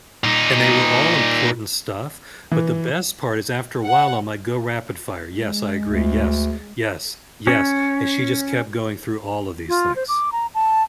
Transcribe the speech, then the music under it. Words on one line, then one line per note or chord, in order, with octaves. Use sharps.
And they were all important stuff, but the best part is after a while, I'm like, "Go rapid fire. Yes, I agree. Yes, yes, yes." And she just kept going through all of these things.
A#2 D#4
E3
F#5
G#3
D2
C#4
F4
C5
D6
A#5
A5